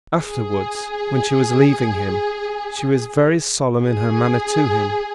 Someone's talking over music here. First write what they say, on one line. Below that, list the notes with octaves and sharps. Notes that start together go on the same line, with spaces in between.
Afterwards, when she was leaving him, she was very solemn in her manner to him.
G#4
G#4